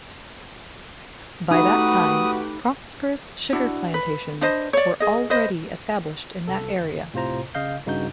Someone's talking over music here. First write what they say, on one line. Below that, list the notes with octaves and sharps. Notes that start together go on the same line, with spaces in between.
By that time, prosperous sugar plantations were already established in that area.
A3 D#4 F#4 G4 B4 D#6
D4 E4 F#4
B4
D4 B4 C5 D#5
C#5 D5
G#4 D#5
B4 C5 D#5
C2 A4
G1
A2 C3 F4 C5 A#5
C#3 D#5 F5 G6
G2 C#3 D#4 F#4 G6